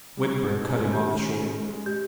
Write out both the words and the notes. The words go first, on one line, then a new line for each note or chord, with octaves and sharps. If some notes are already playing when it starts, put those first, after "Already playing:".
Whitburn cut him off short.
G3
B2
C#4
D#3 G4
C#4
G#3
G#3
G4